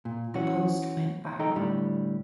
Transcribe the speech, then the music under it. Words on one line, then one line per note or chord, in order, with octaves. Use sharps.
The post went viral.
A#2
E3 C#4 F#4
D#4 A4 D#5 G5 A#5
A2 D3 G3